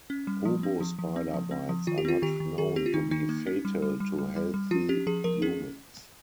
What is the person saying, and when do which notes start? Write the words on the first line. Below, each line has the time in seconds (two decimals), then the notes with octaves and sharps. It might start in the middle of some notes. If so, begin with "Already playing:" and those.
Hobo spider bites are not known to be fatal to healthy humans.
0.10 C#4
0.27 G3
0.45 F3
0.63 C4
0.81 F3
0.99 F3
1.16 C4
1.34 F3
1.51 C4
1.69 F3
1.87 D#3 F4
1.98 G4
2.05 C4 F4
2.22 D#3 G4
2.40 D#3
2.58 D#3 G#4
2.76 C4 G4
2.86 F4
2.94 D#3 D#4
3.11 D#3 D#4
3.29 A#3
3.47 C#4
3.65 G3
3.82 G3
4.00 G3
4.18 G3
4.36 G3
4.54 G3
4.71 F3 F4
4.89 C#4 G4
5.07 F3 G#4
5.24 F3 A#4
5.42 C#4 G#4